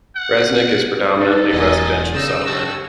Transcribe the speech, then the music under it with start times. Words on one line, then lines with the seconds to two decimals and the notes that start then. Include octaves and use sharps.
Resnik is predominantly residential settlement.
0.16 F#5
1.20 D#4 A4 D5
1.53 E1 E2 D5 D#5 F#5 G#5 A#5
2.15 C#3 D#4 E6
2.47 F#4 G4 A5